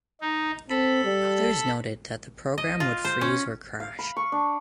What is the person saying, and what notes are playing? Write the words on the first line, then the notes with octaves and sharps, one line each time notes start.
Others noted that the program would freeze or crash.
D#4
C4 A4 B5
G3
D#5
F4
C5
C#4
F5
B5
C#6
D4